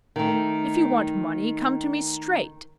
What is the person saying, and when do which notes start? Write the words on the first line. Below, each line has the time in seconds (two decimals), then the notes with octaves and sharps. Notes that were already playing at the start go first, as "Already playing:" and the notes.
If you want money come to me straight.
0.16 D#3 A3